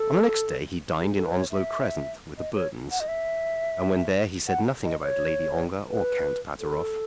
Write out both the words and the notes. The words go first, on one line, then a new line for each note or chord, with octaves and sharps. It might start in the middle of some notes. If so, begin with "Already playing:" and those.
On the next day he dined in Onslow Crescent with the Burtons, and when there he said nothing about Lady Ongar or Count Pateroff.
Already playing: A4
G#4
A4
B4
C#5
E5
D#5
C#5
F#5
D#5
E5
F#5
D#5
C#5
B4
A4